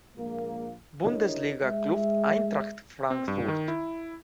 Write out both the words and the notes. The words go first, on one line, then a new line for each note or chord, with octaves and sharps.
Bundesliga club Eintracht Frankfurt.
A#1 A#2 G#3 A#3
D4 E4 G4 A#4 C#5 D#5
G#3 E5
C4
G2
D#3
E4